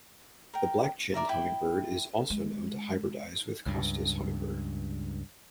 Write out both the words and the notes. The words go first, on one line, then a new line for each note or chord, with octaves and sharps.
The black-chinned hummingbird is also known to hybridize with Costa's hummingbird.
A#4 G5
A#4 D5 E5 A#5
E4 G5 B5
G#3
C#2 G2